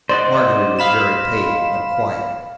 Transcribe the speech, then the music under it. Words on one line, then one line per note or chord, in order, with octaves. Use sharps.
Margery was very pale, but quiet.
C5 D5 D#5 F#5
F5 B5 E7